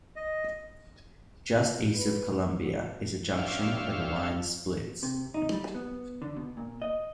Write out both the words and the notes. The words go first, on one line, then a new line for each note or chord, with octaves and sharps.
Just east of Columbia is a junction where the line splits.
D#5
B4
D4 F4 G4 C#5 E5 F5
C3
D#4
G3
B3
D3
B2
A#2
D#5